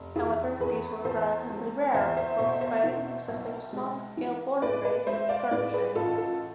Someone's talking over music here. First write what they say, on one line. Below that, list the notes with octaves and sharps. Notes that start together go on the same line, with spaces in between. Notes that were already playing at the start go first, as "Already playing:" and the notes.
However, these were relatively rare, with most fighting consisting of small-scale border-raids and skirmishing.
Already playing: F1
E2 E4 G#4
E2 G#4 B4
E2 A4 C5
G#3
E2 C5 E5
C5 E5
B2 C5 E5
C5 E5
E3
B1
G#3
E3
A2 B4 D5
B4 D5
G#3 C5 E5
D5 F5
A2 B4 D5
G#4 B4
A1 F4 A4
F4 A4